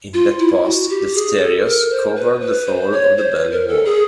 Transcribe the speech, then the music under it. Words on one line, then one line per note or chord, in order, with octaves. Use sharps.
In that post, Defterios covered the fall of the Berlin Wall.
F4
E4
F#4
G4
G#4
A4
A#4
C5
B4
B4
C5
C#5
C5
B4
A#4
A4
G#4